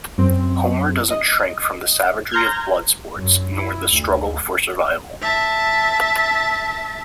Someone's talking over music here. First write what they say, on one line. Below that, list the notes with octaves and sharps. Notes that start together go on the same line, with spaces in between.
Homer doesn't shrink from the savagery of blood sports nor the struggle for survival.
F#2 C4
D#5
A#5 C6 F6 G6 G#6
F#2
E4
D2
E5 A5